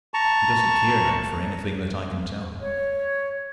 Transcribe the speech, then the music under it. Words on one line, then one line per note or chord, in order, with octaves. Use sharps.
"He doesn't care, now, for anything that I can tell him."
A5 A#5 C#6
C#5